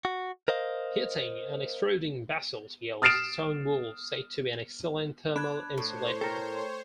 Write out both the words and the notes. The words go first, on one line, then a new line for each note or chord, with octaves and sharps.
Heating and extruding basalt yields stone wool, said to be an excellent thermal insulator.
F#4
A#4 C5 D#5 F5
D#6 F6 A6 C7 D7 E7
D4 B5 F#6 G#6
A2 C5 C#5
A4 A#4 G5